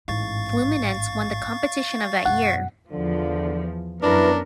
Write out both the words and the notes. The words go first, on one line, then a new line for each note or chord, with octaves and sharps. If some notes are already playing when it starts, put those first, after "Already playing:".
Fluminense won the competition of that year.
A1 G#2 F5 C#6 A6
F#2 B2 F#5
E2 D3 F3
F#2 B3 D4 E4 A#4 B4